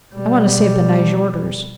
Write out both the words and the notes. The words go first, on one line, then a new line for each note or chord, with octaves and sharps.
I want to save the Nyjorders.
B2 G3